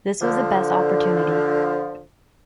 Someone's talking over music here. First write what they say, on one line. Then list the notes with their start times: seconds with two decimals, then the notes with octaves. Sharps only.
This was the best opportunity.
0.21 D3 F3